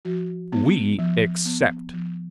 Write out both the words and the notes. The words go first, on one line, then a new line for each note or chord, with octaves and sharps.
We accept.
F3 F#4
B3
F3
B3
F3